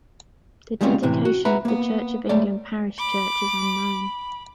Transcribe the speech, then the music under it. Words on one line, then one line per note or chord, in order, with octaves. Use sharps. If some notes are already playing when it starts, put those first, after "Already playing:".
The dedication of the Church of England parish church is unknown.
G3 G#3 A#3 C4 C#4 F4
A2 C3 E3
F#4
B4 E5 F#5 A#5 B5
A#3 B3
A3 C#5 D5
B5 D6